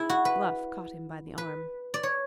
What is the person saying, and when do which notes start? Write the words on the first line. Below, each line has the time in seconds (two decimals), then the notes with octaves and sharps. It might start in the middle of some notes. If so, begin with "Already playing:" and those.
Bluff caught him by the arm.
Already playing: E4 G#4
0.09 F#4
0.25 B4
1.38 B4
1.94 D5
2.03 C#5